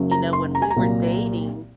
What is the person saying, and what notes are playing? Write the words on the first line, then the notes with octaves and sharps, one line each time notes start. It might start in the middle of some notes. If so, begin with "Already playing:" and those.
you know, when we were dating
Already playing: F#1 F#2 C#3 F#3
A#5
C6
A#5
G#5
A#5
C2 A#2 F#3 A#3